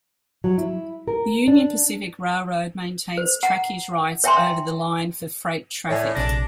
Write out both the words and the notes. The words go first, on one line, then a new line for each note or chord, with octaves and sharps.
The Union Pacific Railroad maintains trackage rights over the line for freight traffic.
F#3
E4
A#4
D4
C5
F#5 A#5
C#5 E5 G5 G#5 A#5 C6
A2 C#5 D5 G#5
A#1 C3 D4 A#6